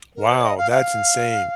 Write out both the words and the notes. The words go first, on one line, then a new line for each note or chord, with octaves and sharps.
Wow, that's insane.
A#4
C5
C#5
D#5
F5
F5